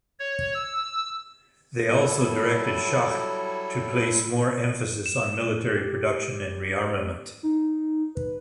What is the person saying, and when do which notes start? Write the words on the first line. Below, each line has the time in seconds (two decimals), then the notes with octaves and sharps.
They also directed Schacht to place more emphasis on military production and rearmament.
0.19 C#5
0.54 E6
1.87 F#3 G3 E4 A4
5.06 E7
5.67 G4
7.43 D#4
8.15 B4